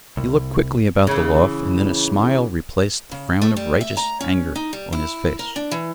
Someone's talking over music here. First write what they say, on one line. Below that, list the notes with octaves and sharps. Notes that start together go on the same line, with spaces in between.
He looked quickly about the loft, and then a smile replaced the frown of righteous anger on his face.
C2
C#3 E3
C#3
A3
G3
E5
A#5
C#4
D#4
G3
E4
A#4
D4
E3